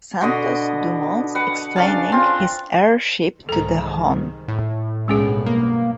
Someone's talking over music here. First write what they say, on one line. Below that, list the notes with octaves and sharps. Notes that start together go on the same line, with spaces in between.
Santos Dumont Explaining His Air Ship to the Hon.
B2 D3 D#5
B4 F#5
C#3 D4 F5 A5
C4 F4
C2 G#2 D#3 A4 A#5
A2
B1 G2 G#3 B3 C#4 G#4
A#3